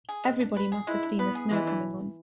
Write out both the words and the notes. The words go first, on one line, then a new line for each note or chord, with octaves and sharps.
Everybody must have seen the snow coming on.
G#4
G#3
D4
B4
G#4
G#3 E4
D4
B3 B4
G#4
E3 G#3
D4